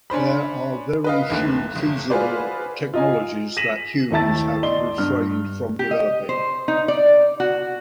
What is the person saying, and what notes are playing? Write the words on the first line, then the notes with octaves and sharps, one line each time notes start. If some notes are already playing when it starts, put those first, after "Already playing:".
There are very few feasible technologies that humans have refrained from developing.
C#4 D4 C5 B5
B4 D#5 F5
G1 D#2 A3 F#6
F#1
F4 F#4 G#4 B4 C5 D5
F4 D#5 G#5
A#6 B6 D#7 E7 F#7
D#2 A3 E4 A5 A6
D5 D#5 C6 G7
G2 F6
G4
D#5
C5
D#4
D5
F#4